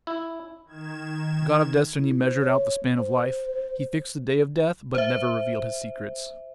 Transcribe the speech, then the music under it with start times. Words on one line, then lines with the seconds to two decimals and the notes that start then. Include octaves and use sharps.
The god of destiny measured out the span of life: he fixed the day of death, but never revealed his secrets.
0.07 E4
0.65 D#3 G#6 E7
1.99 E4
2.22 C5
2.40 C#5
2.97 C5
4.95 C5 E5